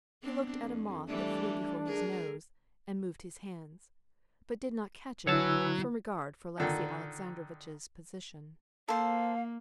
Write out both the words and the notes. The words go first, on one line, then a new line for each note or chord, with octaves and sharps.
He looked at a moth that flew before his nose, and moved his hands, but did not catch it from regard for Alexey Alexandrovitch's position.
B3 C4 D4
F2
E3 G3 A3 D4
G#4 A#4
D3 F#3 E4 B4 C#5 G#5 A5 E6
A#2 D3 D#3
A#3 A4 C5 F5